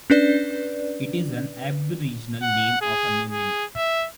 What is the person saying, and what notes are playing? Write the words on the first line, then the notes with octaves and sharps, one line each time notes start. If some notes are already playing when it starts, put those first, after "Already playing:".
It is an Aboriginal name of unknown meaning.
C#4 D4 B4 D5
F#5
G#4
G#4
E5